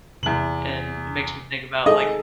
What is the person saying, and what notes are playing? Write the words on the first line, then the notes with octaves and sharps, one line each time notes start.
And it makes me think about, like,
E2 C3 F#7
D#4 G#4 A4 D#5